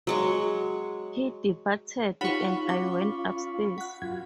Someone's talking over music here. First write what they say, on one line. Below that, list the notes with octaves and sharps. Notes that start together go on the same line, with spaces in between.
He departed, and I went upstairs.
F#3 G#3 C#6
D#4 F4 G4 C#5 F#5 B5 C#6
C#4 D6
F#5 F#6
F#2 F4 F#4 G#6